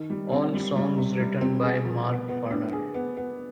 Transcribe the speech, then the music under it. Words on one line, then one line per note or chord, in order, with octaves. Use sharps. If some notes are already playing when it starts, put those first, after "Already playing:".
All songs written by Mark Farner.
Already playing: D#3
G3
C4
G3
G3
C3
G3
C4
G#4
F3
B3
B3
D4
G#4
B3
B3